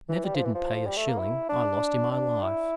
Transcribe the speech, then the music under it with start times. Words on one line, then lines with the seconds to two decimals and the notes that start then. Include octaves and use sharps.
Never didn't pay a shilling I lost in my life!
0.09 E3
0.25 G3
0.35 F3
0.45 E3
0.55 F3
0.87 G3
0.97 A3
1.08 A#3
1.19 E4
1.49 D4
2.12 D4
2.43 E4